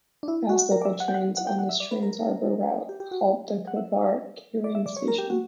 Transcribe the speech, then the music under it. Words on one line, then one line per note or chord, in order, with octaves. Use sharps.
Fast local trains on this trans-harbour route halt at Kopar Khairane station.
D4
E4
F#4
A#4
D5
E5
F#5
G5
F#5
F#5
G5
F#5
E5
D5
B4
A#4
G4
G4
F#4
F#5
E5
D5
E5
D5
C#5
A#4
G4
F#4